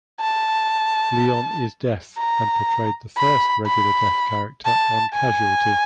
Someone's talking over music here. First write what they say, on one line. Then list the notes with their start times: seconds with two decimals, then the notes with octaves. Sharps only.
Leon is deaf and portrayed the first regular deaf character on "Casualty".
0.20 A5
2.18 A#5
3.17 B5
3.66 B5
4.65 A5
5.14 G#5